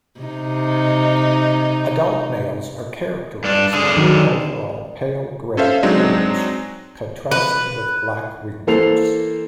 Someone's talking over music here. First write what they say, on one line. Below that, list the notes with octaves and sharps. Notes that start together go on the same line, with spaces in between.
Adult males are characterized by their overall pale grey plumage contrasting with black wingtips.
C3 D#4
G2 D4
D3 G#4
D#3 F#3
C#4 A4 C5 E5 F5
F#3 G#3 C4 D4 D#4
B4
E3 A#3 A4 C5 C7 F7